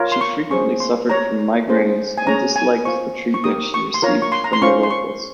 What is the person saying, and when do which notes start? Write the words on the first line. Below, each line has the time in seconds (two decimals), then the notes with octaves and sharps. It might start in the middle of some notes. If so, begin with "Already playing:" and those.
She frequently suffered from migraines and disliked the treatment she received from the locals.
Already playing: F4 A#4 C#5
0.12 C6
0.21 C#6
0.50 C#4 G#4 C5 C#6
0.80 C6
1.09 G4 C#5 A#5
1.68 C#4 G#4 C5
2.18 G#5
2.27 C#4 G#4 C#5 A#5
2.56 G#5
2.85 F4 C5 C#6
3.34 C#6
3.44 D#4 G4 A#4 D#6
3.74 C#6
3.94 C6
4.02 F4 A#4 C#5 A#5
4.22 C#6
4.32 C6
4.44 A#5
4.53 C6
4.62 C#4 F4 C5 C#6
4.83 C6
4.91 C#6